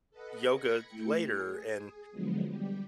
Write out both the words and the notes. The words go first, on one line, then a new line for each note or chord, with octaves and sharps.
yoga later and
A4 B4 D#5 F#5
B5 G#6 A#6 C#7
A3 E4 G5 C#7
G#4
D3 F3 F#3 G#3 B3
G3 G4